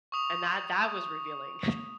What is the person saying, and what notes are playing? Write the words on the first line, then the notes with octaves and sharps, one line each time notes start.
And that that was revealing.
C#6 D#6 F7